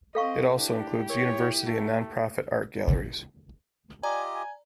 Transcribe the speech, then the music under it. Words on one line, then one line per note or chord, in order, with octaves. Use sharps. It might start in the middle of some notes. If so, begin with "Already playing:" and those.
It also includes university and non-profit art galleries.
C4 A4 D#5 F5 C#6
D4 E4 G4
A#4 C#5
A3
F4 G4 D5 D#5 G#5 A#5
G#5